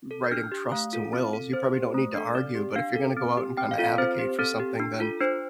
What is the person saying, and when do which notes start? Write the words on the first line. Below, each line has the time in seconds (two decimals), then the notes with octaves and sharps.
writing trusts and wills, you probably don't need to argue, but if you're gonna go out and kinda advocate for something, then
0.11 A4
0.24 G6
0.31 D4 F6
0.52 G4
0.72 A3 F5
0.93 F4 A4
1.13 C4
1.33 A4
1.53 C4 C5
1.74 G4
1.94 A3
2.15 D4 A4
2.35 C4 D5
2.55 G4
2.76 D4 F5
2.96 A4
3.17 C4
3.37 G4
3.57 C4 G5
3.71 F5
3.78 F4 A4
3.84 F5
3.98 C4 C5
4.19 G4
4.39 C4 A4
4.60 G4
4.80 D4
5.00 F4 A4
5.20 D4 C5